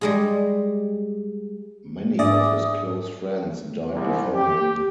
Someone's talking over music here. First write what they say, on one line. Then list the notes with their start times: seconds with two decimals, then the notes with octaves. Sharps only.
Many of his close friends died before him.
0.01 G3 G#3 G#4
2.19 G#2 D4 G#4 D5 E5 D#6
3.92 C2
4.34 G4